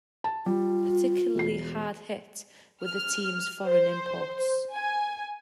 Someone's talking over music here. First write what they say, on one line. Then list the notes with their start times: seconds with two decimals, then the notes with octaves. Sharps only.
Particularly hard hit were the team's foreign imports.
0.24 A5
0.46 G3 F4
1.35 E1 C7
2.85 F6
3.66 C5
4.74 G#5